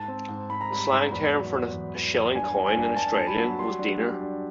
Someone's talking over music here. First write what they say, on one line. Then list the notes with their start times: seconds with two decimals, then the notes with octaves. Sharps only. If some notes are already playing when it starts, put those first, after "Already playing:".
The slang term for a shilling coin in Australia was "deener".
Already playing: G#2 A5
0.08 C4
0.29 G#2
0.50 G#2 B5
0.61 A#5
0.70 G3 B5
0.91 G#2
1.11 E2 B5
1.32 F#3
1.53 E2
1.73 E2
1.94 E2
2.15 E2
2.35 G2 G#5
2.56 G2
2.66 G#5
2.76 G2
2.97 G2 A5
3.18 G2
3.27 B5
3.38 F#3
3.59 G3 C6
3.79 D4
4.00 G3
4.21 D4